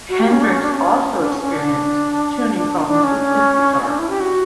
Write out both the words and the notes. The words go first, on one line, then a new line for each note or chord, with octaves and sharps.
Hendrix also experienced tuning problems with his guitar.
F#4
G4
C#4
D4
C#4
D4
C#4
D4
C#4
D4
C#4
C#4
D4
D4
C#4
C#4
D4
E4
G4
F#4